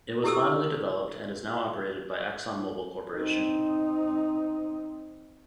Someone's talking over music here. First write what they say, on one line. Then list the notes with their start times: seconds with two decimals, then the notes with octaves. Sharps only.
It was finally developed and is now operated by Exxon Mobil Corporation.
0.24 E4 G4 A4 E6
3.15 C4 D#4